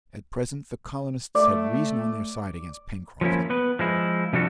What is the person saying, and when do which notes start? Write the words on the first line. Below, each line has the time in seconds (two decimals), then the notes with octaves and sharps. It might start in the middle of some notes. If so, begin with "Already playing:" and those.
At present, the colonists had reason on their side against Pencroft.
1.35 A3 D5
3.21 F3 F#3 A#3 C#4 E4
3.50 B3 B4
3.79 F3 G#3 E4
4.33 C3 F3 G3 D4 F#4 A4